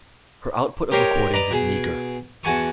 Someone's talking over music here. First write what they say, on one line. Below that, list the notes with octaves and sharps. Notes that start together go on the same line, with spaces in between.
Her output of recordings is meager.
G4 A#4 C5 C#5 D#5
B4 D5 D#5 A#5
B2 G#4
E2 F#4 G#5 A5 C#6 D#6